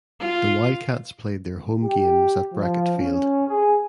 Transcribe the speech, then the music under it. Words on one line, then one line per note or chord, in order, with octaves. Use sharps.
The Wildcats played their home games at Brackett Field.
F4
G4
F3
C#4
G#4